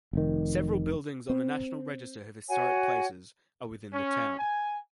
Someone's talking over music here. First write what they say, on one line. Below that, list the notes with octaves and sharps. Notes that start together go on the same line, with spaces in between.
Several buildings on the National Register of Historic Places are within the town.
F1 D#3
C4
F#4 C#5 F#5 G#5
C#4
G#5